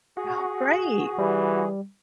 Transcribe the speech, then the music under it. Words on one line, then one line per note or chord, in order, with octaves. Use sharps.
Oh, great.
F#4 G#4
E3 G3